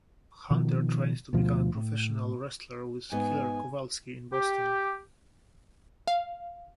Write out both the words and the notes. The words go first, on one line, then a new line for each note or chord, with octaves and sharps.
Hunter trained to become a professional wrestler with Killer Kowalski in Boston.
B2 D#3 F3
D2 B2 F3
A2
G#2 B3 G#5
G4
F5